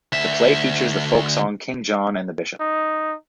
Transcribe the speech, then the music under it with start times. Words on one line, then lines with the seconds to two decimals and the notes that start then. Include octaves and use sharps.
The play features the folk song King John and the Bishop.
0.12 D2 E5
2.60 D#4